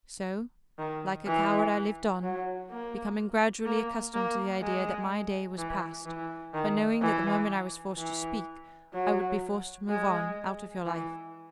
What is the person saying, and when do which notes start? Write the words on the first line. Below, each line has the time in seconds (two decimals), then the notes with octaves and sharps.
So, like a coward, I lived on, becoming gradually accustomed to the idea that my day was past, but knowing that the moment I was forced to speak, I would be forced to move on out of your life.
0.78 D#3
1.26 E3
2.23 F#3
2.70 A#3
3.66 A#3
4.14 A#3
4.63 G#3
5.58 E3
6.06 E3
6.54 D#3
7.02 E3
7.98 E3
8.94 F#3
9.89 G#3
10.86 E3